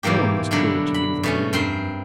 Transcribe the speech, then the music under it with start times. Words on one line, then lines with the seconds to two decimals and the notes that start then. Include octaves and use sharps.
No one was truer to you than we were, you know.
0.03 G#2 B2 E3 A#3 G4
0.51 D3 F#3 G3 D4 E4
0.94 B5
1.23 B2 A3 C#4
1.53 G2 C4 A#4 C5 C6